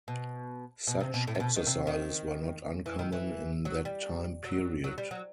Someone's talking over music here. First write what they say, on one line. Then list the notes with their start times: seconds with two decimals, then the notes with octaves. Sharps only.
Such exercises were not uncommon in that time period.
0.08 B2
0.87 B2
1.00 C3
1.14 B2
1.27 A2
1.35 C3
1.40 B2
1.56 D#3
1.67 C3
1.87 D#3
2.86 E3
2.99 D#3
3.12 E3
3.65 F#3
3.85 G3
4.44 F#3
4.84 F#3
4.98 G3
5.11 F#3